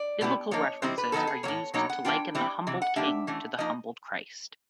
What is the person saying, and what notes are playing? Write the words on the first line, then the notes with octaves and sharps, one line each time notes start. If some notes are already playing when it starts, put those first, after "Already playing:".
Biblical references are used to liken the humbled king to the humbled Christ.
Already playing: D5
B2 G3 B3 E4
F3 A#3 D#4 C#5
D#3 G3 C4 E4 C5
B4
D#3 F#3 B3 D#4 A4
G#4
A2 F#3 A#3 C#5
B2 F#3 A#3 D#4 C#5
F#5
E3 G#3 B3 D4 F4 G5
E3 G3 C4 E4
C3 E3
F#5
D3 G3 A#3 D4 E5
E3 A3 C#4
F3 A#3 D#4 D#5